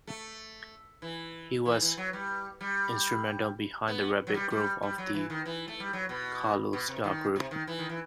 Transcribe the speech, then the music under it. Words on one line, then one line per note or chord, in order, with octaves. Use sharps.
He was instrumental behind the rapid growth of the Kirloskar Group.
A3
E3
E3
E3
F#3
G3
G3
B3
F#3
G3
G3
G3
F#3
E3
D#3
E3
A3
G3
F#3
B2
B2
C3
D#3
C3
D#3
E3
D#3
E3